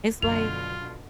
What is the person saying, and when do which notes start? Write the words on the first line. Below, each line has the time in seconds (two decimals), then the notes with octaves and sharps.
It's, like
0.22 F#2 B2 D3 F4 F7